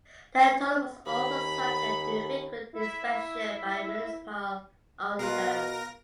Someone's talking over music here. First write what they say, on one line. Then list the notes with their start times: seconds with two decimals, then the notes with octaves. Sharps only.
The Taula was also subject to frequent inspection by municipal auditors.
1.06 D#2 B5
2.73 E4 E5
5.19 B2 F4 A#4 B4 F5 A#6